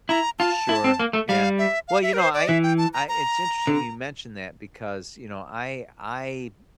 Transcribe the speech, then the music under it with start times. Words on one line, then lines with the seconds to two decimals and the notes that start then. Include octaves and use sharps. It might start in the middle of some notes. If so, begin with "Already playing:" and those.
Sure, yeah, well, you know, I I it's interesting you mentioned that because, you know, I I
0.09 E4 A#5
0.39 F4 A5
0.69 E4
0.84 C4
1.00 A#3
1.13 A3
1.28 G3 F5
1.58 E5
1.88 F5
2.03 E5
2.13 A#4
2.18 C5
2.34 D5
2.48 E3 E5
2.63 G5
2.78 A5
2.94 A#5
3.08 A#5
3.67 D3